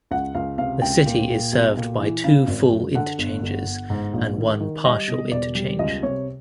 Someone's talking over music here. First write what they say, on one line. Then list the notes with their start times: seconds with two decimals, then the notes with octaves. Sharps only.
The city is served by two full interchanges and one partial interchange.
0.11 C#2 F#5
0.35 C#2 F5
0.58 C3 F5
0.82 C#2 G5
1.06 A#2
1.30 A#2
1.53 B1
1.77 A#2
2.00 E3
2.24 C#3
2.48 G#1
2.71 F#2
2.95 D3 F#5
3.18 G1
3.43 G1
3.66 G1
3.90 G#2
4.14 A#1
4.37 D#3
4.60 D#3
4.84 G3 D#5
5.08 B2
5.32 E1 D5
5.55 G3
5.79 C#2 D#5
6.03 C3 C#5